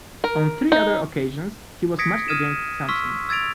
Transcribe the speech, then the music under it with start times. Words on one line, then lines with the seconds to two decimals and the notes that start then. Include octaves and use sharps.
On three other occasions he was matched against Sampson.
0.24 A#4
0.72 D#4
1.99 D#6 G#6 A#6 B6 C#7 D7
2.28 D#6 F6 G#6 D#7 E7
2.88 C6 C#6 E6 F6 B6
3.29 E6 G#6 A6 D7 F7